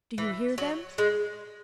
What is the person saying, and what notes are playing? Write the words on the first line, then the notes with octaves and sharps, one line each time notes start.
Do you hear them?
E3
F#3
G#3